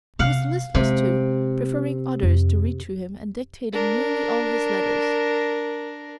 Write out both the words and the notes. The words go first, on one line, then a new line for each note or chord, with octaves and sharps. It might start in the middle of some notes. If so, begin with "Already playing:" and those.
He was listless too, preferring others to read to him and dictating nearly all his letters.
C3 F5 F#5
C3 G#3
F2
D4 A#4